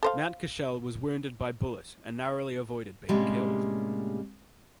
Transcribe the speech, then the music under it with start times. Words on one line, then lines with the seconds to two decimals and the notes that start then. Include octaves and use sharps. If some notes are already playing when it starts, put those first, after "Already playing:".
Mountcashel was wounded by bullet and narrowly avoided being killed.
0.03 A4 C5 F5
3.08 A2 C3 G3 G#3 A#3 C#4